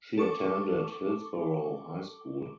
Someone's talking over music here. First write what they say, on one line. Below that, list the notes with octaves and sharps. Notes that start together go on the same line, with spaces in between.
She attended Hillsborough High School.
A4 C#6 D6